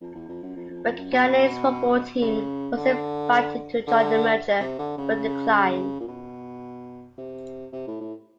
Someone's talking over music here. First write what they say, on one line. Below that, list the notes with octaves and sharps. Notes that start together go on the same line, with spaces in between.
Waikanae's football team was invited to join the merger but declined.
F2
E2
F2
F#2
F2
F2
F2
F#2
B2
C#3
D3
D3
C3
D3
C#3
A#2
B2
C3
C3
A2
A2